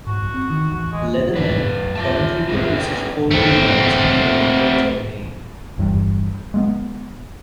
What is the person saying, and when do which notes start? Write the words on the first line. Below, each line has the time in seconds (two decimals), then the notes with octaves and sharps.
Leatherman currently produces folding knives under the Crater name.
0.07 G#2 F#4
0.34 C4
0.50 D#3
0.72 A1 E2 F#4
0.92 G#3
1.36 F#2 B4
1.95 F4 E5 A5
2.49 F4 F#4 G#4 A#4 B4 E5
2.74 C#4 E4 B4 C#5 D5 G5
3.31 A3 C4
5.78 G1 E2 G2
6.54 G#3 A3 B3